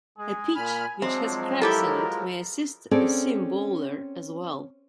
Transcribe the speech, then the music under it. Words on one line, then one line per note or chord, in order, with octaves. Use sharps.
A pitch which has cracks in it may assist a seam bowler as well.
G#3 G#4
A#2 G#5 B5 F6
F3 F#3 G#3 C4 D4
E4 G4 A4 A#4
C4 C#4 G#4 A4 D5